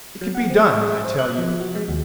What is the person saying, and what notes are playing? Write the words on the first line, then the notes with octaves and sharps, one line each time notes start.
It could be done, I tell you.
F#3
F#5
C4
C#6
G#3
G#4
C5
F#6
F3
F#4
G#3
D#2